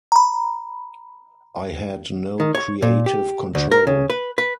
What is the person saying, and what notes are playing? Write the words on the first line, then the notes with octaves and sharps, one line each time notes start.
I had no creative control.
A#5 B5
D#3
C#5
A#2
G4
D2
A#4
C#3
B4
B4